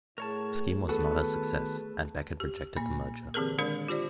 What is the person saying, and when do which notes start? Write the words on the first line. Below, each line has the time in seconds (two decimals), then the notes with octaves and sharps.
The scheme was not a success and Beckett rejected the merger.
0.18 A2 A3 G#4 A#4 C#5 A5 C#6
0.89 D#3 B3 F#4 A4 B4 A5
2.40 G4
2.77 A#2 A#3
3.34 D3 E3 C4 G4 G#4 A#4
3.58 D#3 G#3 D4 A#4 D5
3.89 F4 G4 C5 D5